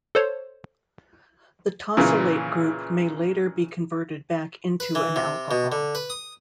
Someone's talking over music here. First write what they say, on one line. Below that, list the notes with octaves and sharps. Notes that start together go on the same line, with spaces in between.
The tosylate group may later be converted back into an alcohol.
A4 C5 C#5
A#2 C#3 E3
B4
E3
C3
B2
D3
B4
D#6